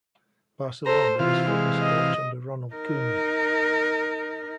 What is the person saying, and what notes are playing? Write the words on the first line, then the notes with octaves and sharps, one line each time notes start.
Barcelona as fitness coach under Ronald Koeman.
A4 C5 A#5
C3 E3 F4 F5
G#3
D#5
D#4 A#4